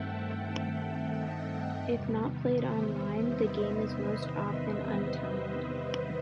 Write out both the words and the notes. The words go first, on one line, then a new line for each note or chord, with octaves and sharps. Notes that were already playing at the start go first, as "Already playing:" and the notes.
If not played online the game is most often untimed.
Already playing: G2 D#3 A3 C4 E5 F#5 G5 A5
E5 G5
D#5 F#5
E2 C3 D#3 G3 B3
C5 E5
B4 D#5